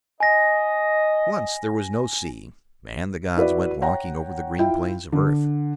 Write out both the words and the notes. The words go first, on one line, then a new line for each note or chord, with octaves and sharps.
Once there was no sea, and the gods went walking over the green plains of earth.
D#5 G#5 A#6
E4 F#4 B4 D5
C#5 F#5 G5 A#5
E4 F4 G5
D3